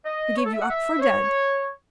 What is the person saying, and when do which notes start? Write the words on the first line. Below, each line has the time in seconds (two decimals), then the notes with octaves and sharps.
We gave you up for dead!
0.05 D#5
0.37 C#5
0.46 A4
0.54 E5
0.62 F#5
0.70 E5
0.98 C5
1.02 C#5